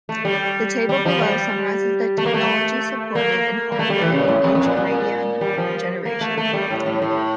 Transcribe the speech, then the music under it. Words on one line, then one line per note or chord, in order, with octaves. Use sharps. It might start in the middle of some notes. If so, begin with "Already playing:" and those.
The table below summarizes the technologies supported in hardware in each Radeon generation.
A3
G3
G3
F3
G3
A3
A#3
A3
A#3
A#3
A3
G3
E3
C#3
A#2
A2
F2
F2
A#2
A#2
G3
F3
A#3
A3
A3
G3
A2
A2
A2